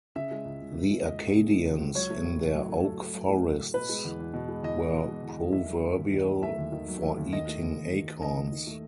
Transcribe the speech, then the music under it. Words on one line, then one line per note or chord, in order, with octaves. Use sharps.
The Arcadians in their oak-forests were proverbial for eating acorns.
C#3 E5
G#3
C#2
C#2
C#3
G#3
C#2 D#5
C#2
C#3
G#3
C#2
C#2
F#3 C#5
A3
A2
A2
F#3
A3
A2 A4
A2
F#3
A3
A2
A2
B2 B4
G#3
E2
E2
B2
G#3
E2 D#5
E2
B2
G#3
E2
E2
D#3 E5
F#3
A3
D#2
D#3
F#3
A3 E5
D#2
D#3
F#3
A3
D#2
D#3 D#5
A3
D#2
D#2
D#3
A3
D#2 D#5
D#2
D#3
A3